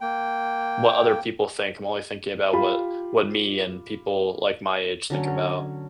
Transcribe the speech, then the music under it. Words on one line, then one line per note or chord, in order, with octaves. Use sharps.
what other people think. I'm only thinking about what what me and people, like, my age think about.
A#3 G5
F4 G4 B5
D3 F#3 C#4